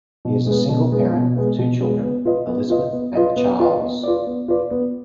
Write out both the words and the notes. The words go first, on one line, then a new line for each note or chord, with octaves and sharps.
He is a single parent of two children, Elizabeth and Charles.
B2
G#3 B3
B2
G#3 B3
B2
G#3 B3
B2
G#3 B3
B3
F4 B4 D#5
B3
F4 B4 D#5
B3
F4 B4 D#5
B3
F4 B4 D#5
B3
F4 B4 D5
B3
F4 B4 D5
B3